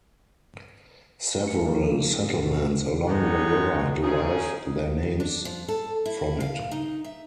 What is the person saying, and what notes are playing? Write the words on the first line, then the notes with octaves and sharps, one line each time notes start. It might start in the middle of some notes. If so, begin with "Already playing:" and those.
Several settlements along the river derive their names from it.
C#7
D#3 F3 A#3 F4 A#4
G#2 G#4
B2 F#4
G#3 B3 D#4 G4 A4 C#5
C#3 F#3 C4 D#4 G#4
D4
F3
A4
E4
F5
D#4
E5